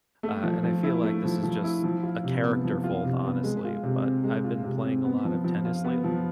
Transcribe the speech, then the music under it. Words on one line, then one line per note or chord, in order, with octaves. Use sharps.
uh, and I feel like this is just a character fault, honestly. What I've been playing a lot of tennis late
A3
F3
F3
E4
A3
F3
F3
E4
F3
F4
C3
B3
F3
F4
C3
B3
G#3
F4
C3
C4
G#3
F4
C3
C4
B3
F3
F3
F4
B3
F3